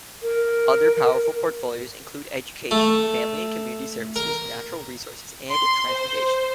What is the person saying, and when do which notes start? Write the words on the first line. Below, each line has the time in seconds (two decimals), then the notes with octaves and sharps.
Other powerful porfolios include Education, Family and Community Services, Natural Resources and Transportation.
0.22 A#4
2.71 A3
4.16 A#4
5.50 C6
5.87 C5